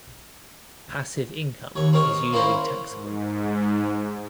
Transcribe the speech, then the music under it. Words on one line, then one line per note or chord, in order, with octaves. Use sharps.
Passive income is usually taxable.
D#2 C#5
C4 A#4 C#5 D#5
A#3 C#4 E4 A#4 C5
G#2